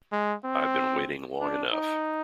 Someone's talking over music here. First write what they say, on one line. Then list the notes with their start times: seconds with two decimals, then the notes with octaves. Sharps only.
I've been waiting long enough.
0.12 G#3
0.44 C4
1.40 D4
1.73 D#4